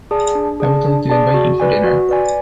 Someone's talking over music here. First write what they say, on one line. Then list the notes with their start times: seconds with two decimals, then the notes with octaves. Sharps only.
I would like to invite you for dinner.
0.11 G#4 D5 A5
0.35 D4
0.60 G#4 D5 A5
0.85 D4
1.10 G#4 D5 A5
1.34 F#4
1.60 B4 D5 G#5
1.84 F#4
2.09 B4 D5 G#5